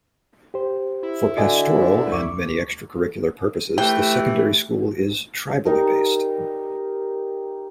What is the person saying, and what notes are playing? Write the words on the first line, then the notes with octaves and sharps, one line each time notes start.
For pastoral and many extra-curricular purposes the Secondary School is "Tribally" based.
G4 C5
E4
D3 F#4 D#5 G#5
D2 C#6 D6
E3 A3 G4 G5
G3 D#4 A#4